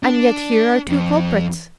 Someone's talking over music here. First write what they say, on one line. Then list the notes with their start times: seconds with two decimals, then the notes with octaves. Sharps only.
"And yet here are two culprits."
0.03 D4
0.89 F2